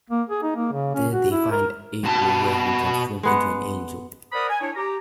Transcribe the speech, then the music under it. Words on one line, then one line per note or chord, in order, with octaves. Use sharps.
There they find April, who has been transformed into an angel.
A#3
G#4
D#4
A#3
C#3
C#4
F#4
E4
A#4
B2 A5
G#3 B3 F#5
A#4 C5 D5 F#5 B5 D#6
G#5
D4 E4 C#5
G4 A#5